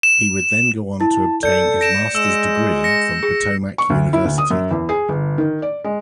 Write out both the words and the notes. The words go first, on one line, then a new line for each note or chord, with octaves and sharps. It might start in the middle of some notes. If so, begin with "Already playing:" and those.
He would then go on to obtain his master's degree from Potomac University.
E7
E4 A5
A4 D5 G6 C#7
A#6 D7 E7
G#3 E6 E7
A#6 C#7
G#4
C#6
D2
E4
D2
D#6
F#2
E2
G#4
G1
D#3
D5
G#3